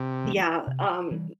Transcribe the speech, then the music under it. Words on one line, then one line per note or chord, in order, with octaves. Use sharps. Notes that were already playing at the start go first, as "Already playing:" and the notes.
yeah, um,
Already playing: C3
E3 A3 D4
C3
E3 G3